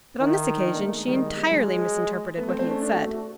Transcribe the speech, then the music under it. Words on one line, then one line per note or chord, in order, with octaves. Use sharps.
But on this occasion she entirely misinterpreted what he had said.
D#3 E4
D#4
D4
A#3
A3
G#3
D#3 G3
G#3
G3
F#3 G#3
A3 B3
C4
C4
D4
C#4
D4
F#4
F#4